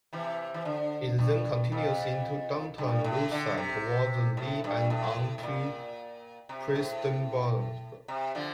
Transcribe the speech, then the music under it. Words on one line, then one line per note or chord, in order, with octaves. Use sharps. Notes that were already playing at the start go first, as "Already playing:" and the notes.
It then continues into downtown Louisa toward Inez and on to Prestonsburg.
C3 E3
E3
D3
G2
F2
G2
A2
D3
C3
A2
G2
A2
A2
A#2
C3
A2
C3
D3 F3